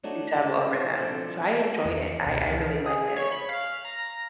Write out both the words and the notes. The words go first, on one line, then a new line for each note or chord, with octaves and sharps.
dub over them, so I enjoyed it, I I really liked it.
F#3 A3 D4 D#4 F#4
G4
D#4 A#4 C5
B2 D3 F3 C4 E4
E2 E3
C#2 B2
C#2 E3
G#4
C#5
B5
F5
A#5